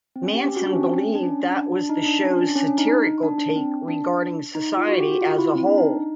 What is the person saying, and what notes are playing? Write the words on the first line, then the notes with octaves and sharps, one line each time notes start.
Manson believed that was the show's satirical take regarding society as a whole.
C4
C#4
G4
G4
F#4
D4
C#4
C4
D4
C#4
D4
D4
D4
D#4
D4
C#4
D4
C#4
D4
D#4
D#4
D4
D4
C4
D4
D#4
F4
F#4
G4
F#4
F4
E4
C4
D4
D#4